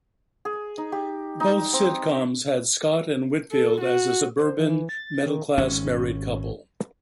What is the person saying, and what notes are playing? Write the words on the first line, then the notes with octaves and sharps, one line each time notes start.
Both sitcoms had Scott and Whitfield as a suburban middle-class married couple.
G#4
D#4
G4
D#4
C4
A4
F#4
C5
E3
A6
D#3
G#1 C#4